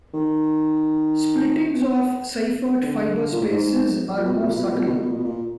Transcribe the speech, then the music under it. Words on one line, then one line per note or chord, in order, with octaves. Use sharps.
Splittings of Seifert fiber spaces are more subtle.
D#3
D3
A#2
A2
G#2
A#2
B2
A#2
B2
A#2
B2
A#2
B2
A#2
B2
A#2
B2
A#2
B2
A#2